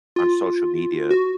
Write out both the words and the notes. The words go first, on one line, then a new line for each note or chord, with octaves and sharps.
on social media,
F4
F#4